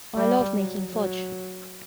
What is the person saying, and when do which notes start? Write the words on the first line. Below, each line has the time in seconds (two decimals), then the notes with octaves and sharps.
I love making fudge.
0.16 G3
0.54 F#3
0.91 F#3